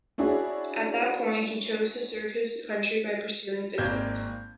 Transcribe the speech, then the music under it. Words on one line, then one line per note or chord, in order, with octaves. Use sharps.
At that point he chose to serve his country by pursuing physics.
C#4 D4 E4 F#4 G#4 C#5
G#1 A#3 C4 D5 G6 G#6